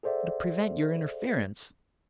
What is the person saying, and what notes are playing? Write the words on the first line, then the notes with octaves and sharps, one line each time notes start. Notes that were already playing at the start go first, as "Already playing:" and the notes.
"To prevent your interference."
G#4 A4 C5 D5 E5 F#5